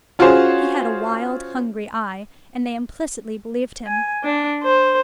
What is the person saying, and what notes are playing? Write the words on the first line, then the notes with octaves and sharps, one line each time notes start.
He had a wild, hungry eye; and they implicitly believed him.
C#4 F4 F#4 G#4 C5 C#5
G#5
D4
C5